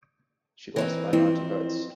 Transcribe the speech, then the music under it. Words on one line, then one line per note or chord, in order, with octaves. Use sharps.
She lost by ninety votes.
E3 C4 D#4
F2 E3 C4